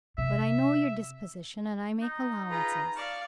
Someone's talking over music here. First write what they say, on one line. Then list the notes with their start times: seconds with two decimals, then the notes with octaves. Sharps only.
But I know your disposition, and I make allowances.
0.18 C3 E5
2.01 D#4
2.50 F4 G#4 B4 A#5
2.96 D5 F5 A5 C#6 F6